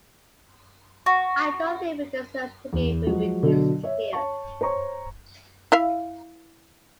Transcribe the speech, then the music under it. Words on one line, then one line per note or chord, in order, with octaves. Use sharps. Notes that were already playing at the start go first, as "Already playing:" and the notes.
I don’t think it deserves to be reproduced here.
F#4
E2
F3 F#3 G#3 F#4
B2 D3 F#3
C#5 E5
C#5 A5 C#6
C5 C#5 A#5 C#6
E4 E5 F5